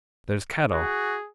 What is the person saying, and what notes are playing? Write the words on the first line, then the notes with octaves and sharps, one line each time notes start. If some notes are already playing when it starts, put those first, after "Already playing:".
'There's cattle!
F#4 G#4